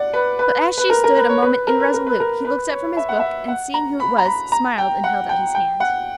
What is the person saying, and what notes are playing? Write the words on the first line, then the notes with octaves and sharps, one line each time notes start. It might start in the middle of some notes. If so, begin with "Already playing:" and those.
But as she stood a moment irresolute, he looked up from his book, and seeing who it was, smiled and held out his hand.
Already playing: D5 F#5
B4
B4
B4
A#4
A#4
B4
C#5
B4
A#4
B4
A#4
B4
A#4
B4
C#5
E5
F#5
E5
F#5
A#5
B5
A#5
B5
A#5
G5
F#5
G5
G5
F#5